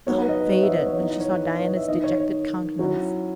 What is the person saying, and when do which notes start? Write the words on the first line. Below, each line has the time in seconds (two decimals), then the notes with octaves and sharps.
But the hope faded when she saw Diana's dejected countenance.
0.06 F#3 B3 D#4 C#5
0.18 B4
0.29 D#5
0.40 B4
0.52 C#5
0.63 E5
0.75 D#5
0.86 C#5
0.97 E3 B3 D#4 D#5
1.09 D#5
1.20 C#5
1.31 B4
1.43 B4
1.54 C#5
1.66 D#5
1.77 E5
1.88 D#3 A#3 D#4 D#5
2.04 C#5
2.18 C#5
2.79 F#3 C#4 E4